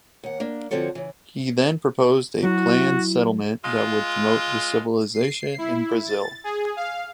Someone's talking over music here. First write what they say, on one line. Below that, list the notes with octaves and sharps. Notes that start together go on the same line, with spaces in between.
He then proposed a planned settlement that would promote the civilization in Brazil.
D#2 F#5
A#3 D4
D3 F3 C4 F#4 A4 C#5
C#3 E3
F#3 E4 F#4
G#3 F4
C7
E4
A6
G#4
F5